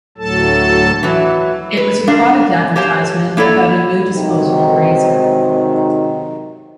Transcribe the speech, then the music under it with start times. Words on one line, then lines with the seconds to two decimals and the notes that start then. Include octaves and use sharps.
It was a product advertisement about a new disposable razor.
0.18 D2 A2 F#3 A4 A5
1.03 E3 F#3
1.77 B4
2.07 G#2 D4 A#4 F5
2.76 G4 C5 C#5 F5 A5
3.37 A#3 E4 A4 C#5 D5
4.14 G#2 C3 D#3 F#3 C4 D#4